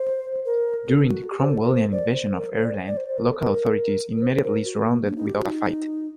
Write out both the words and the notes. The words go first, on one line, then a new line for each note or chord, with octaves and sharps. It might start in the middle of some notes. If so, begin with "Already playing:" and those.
During the Cromwellian invasion of Ireland, local authorities immediately surrendered without a fight.
Already playing: C5
A#4
A4
F#4
G4
C5
A4
A#4
C5
D5
C5
A#4
C5
D5
D5
C5
C5
A#4
A4
A#4
A#4
C5
A#4
F#4
A#3
D4
D#4
G4
F#4
D#4